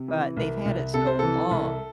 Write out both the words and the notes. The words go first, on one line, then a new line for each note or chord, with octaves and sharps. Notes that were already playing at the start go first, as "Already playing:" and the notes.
but they've had it so long.
Already playing: C3
E3
C2
C2
C3 A4
C5
E3 A4
C2